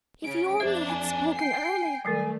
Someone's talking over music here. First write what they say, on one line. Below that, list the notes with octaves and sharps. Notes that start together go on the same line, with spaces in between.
If he only had spoken earlier!
C#3 C#4 D7
F2 D4 C5 E5
G#5
G5 C7
D#3 F#3 G3 A3